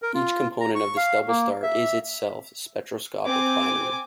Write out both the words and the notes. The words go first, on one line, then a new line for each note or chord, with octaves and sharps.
Each component of this double star is itself a spectroscopic binary.
A#4
F4
A#5
C#6
F5
A#3
E5
C4 G#5 D6